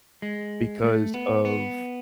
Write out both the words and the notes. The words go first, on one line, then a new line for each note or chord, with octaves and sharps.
because of,
G#3
A3
B3
B3